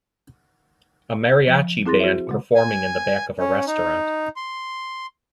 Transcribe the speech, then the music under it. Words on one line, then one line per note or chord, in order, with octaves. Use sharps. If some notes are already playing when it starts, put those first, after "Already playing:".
A Mariachi band performing in the back of a restaurant.
F3
C4 E4 G#4 C6 A6 A#6
F#4 C5 E5
A#2 C#3 G#3
G#5
C#4
D#4
C6